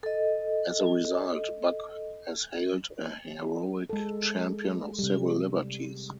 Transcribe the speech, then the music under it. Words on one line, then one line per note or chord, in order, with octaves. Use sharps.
As a result, Buck was hailed a heroic champion of civil liberties.
A4 D#5
G#3 A4
C3 G3